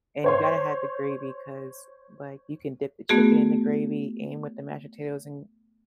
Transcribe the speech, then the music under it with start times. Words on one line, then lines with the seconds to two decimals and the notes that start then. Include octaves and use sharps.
and you gotta have the gravy 'cause, like, you can dip the chicken in the gravy, and with the mashed potatoes and
0.24 C5 C#5 C6
3.09 A3 B3 F#4 G#4